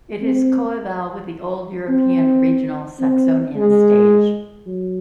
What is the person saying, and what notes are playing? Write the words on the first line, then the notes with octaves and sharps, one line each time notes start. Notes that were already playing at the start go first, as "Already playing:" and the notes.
It is coeval with the old European regional Saxonian stage.
C4
C4
C4
G#3
F#3